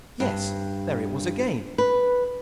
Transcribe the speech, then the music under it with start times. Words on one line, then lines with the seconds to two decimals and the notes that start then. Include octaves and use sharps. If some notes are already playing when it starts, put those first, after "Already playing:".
Yes, there it was again!
0.20 G2
1.78 B4